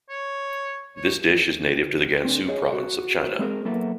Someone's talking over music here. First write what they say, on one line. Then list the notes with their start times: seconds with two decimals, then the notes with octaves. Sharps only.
This dish is native to the Gansu province of China.
0.10 C#5
0.96 C#5
2.25 C4 D4
2.48 G#4 C#5 D#5
2.73 F#4
3.39 G#3 C4 G#4 A#4
3.65 F#3 A#3 B3 E4 A4 B4